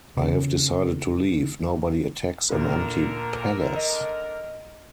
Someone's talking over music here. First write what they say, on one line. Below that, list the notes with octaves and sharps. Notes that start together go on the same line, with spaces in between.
I have decided to leave: nobody attacks an empty palace.
C#3
D2 A#2 D3 A#4
D#5